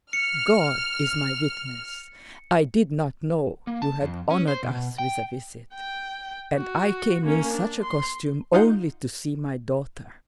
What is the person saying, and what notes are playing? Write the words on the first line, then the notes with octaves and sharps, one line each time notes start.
God is my witness, I did not know you had honored us with a visit, and I came in such a costume only to see my daughter.
F6 C#7
A#3
A5
F2
C#4
C5
B2
G5
G5
F#4
A#3 C#4
D4
C6
D#4 F4 D#5 F5 F#5 G6